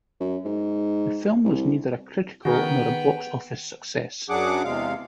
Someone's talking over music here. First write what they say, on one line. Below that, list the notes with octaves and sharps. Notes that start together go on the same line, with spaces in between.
The film was neither a critical nor a box office success.
F#2
G#2
C2
D#3 B3 F#4 G#4 A#4 G5
F#2 F#3 D4 G#4 F#5 D6
E2 C3 G#3 F5